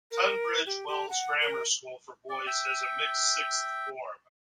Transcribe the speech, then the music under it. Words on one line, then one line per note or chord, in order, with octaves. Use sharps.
Tunbridge Wells Grammar School for Boys has a mixed sixth form.
A#4
G4
G4
F#5
A#4
D5
E5 G5